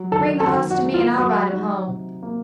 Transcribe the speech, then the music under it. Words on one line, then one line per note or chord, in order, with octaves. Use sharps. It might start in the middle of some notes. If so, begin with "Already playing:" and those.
Bring the hoss to me, an' I'll ride him home.
Already playing: F#3
D#3 A4
A4
D#3 F#4
F#4
A3
F4
F#3 F#4
D#4
C3
A#3